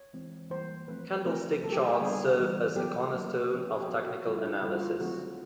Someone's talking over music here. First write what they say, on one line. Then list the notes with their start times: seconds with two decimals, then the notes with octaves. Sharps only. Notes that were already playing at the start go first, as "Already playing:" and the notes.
Candlestick charts serve as a cornerstone of technical analysis.
Already playing: C#5
0.13 E3 G#3 C4
0.50 E3 G3 A#3 C5
0.88 F3 A3 C4 B4
1.25 F3 A3 C4 A#4
1.63 D3 G3 A#3 A4
1.72 G4
1.82 G#4
1.91 G4
2.00 D3 G3 B3 G#4
2.38 E3 G3 B3
2.76 F#3 B3 G4
3.13 D#3 F#3 A#3 C#4
3.51 F3 A3 C#4
3.70 G#4
3.80 G4
3.88 F#3 B3 F#4
4.07 F#4
4.26 D3 G3 B3 F4
4.36 E4
4.44 D4
4.54 E4
4.63 D3 G3 A#3 C#4 F4
4.73 F#4
4.82 F4
5.00 D#3 F#3 A3 C4 F#4